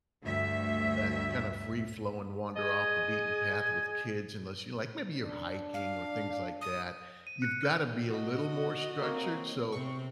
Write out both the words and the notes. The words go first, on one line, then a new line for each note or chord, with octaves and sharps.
that kind of free flowing wander off the beaten path with kids unless you're, like, maybe you're hiking or things like that. You've gotta be a little more structured, so,
D2 G2 E5
G#4 D#5 G#5
D4
F5
D#6
D#7
F#6 C#7
F6 G6
F#4 D#5
A#3 C4 A#4 C#5
C3 C4 C#6